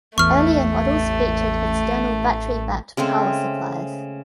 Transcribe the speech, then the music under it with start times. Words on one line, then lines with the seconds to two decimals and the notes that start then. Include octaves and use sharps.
Earlier models featured external battery-backed power supplies.
0.18 A1 E2 E3 A3 C#6 F6
2.97 C#3 G#3 A3 C4